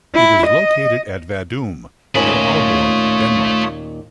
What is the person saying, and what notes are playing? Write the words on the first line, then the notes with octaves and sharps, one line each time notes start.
It is located at Vadum, near Aalborg, Denmark.
E4
D#5
D#2 A#2 A3 C#4 F4 C#5 B5 D#6